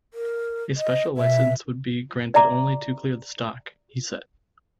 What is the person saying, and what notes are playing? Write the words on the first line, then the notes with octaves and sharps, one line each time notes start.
A special license would be granted only to clear the stock, he said.
A#4
D#5
B2 E5
D5 E5 A#5 D6